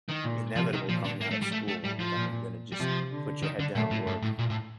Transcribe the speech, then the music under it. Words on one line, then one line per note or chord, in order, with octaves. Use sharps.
inevitable coming out of school that you're gonna just put your head down, work,
D#3
A#2
C3 F3
D#3
A#2 F3
D3
A2 A#3
A3
G3
A3
A3
A2 G3
F3
A#2
G3
C3 F3
D3
D#3
D3
A#2 A3
A2
G2
A2
A#2
A2